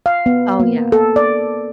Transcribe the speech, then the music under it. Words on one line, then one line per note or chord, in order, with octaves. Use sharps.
Oh, yeah.
F5
B3
A#3
A4
D5